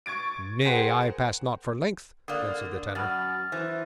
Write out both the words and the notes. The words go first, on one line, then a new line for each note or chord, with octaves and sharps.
"Nay, I pass not for length," answered the Tanner.
C#6 G#6 A6 D7
G#4 A#4 C5 F#5 G5
D3 A#3 D5 D#6
F#2 B5 F6 A6
E3 C5 A6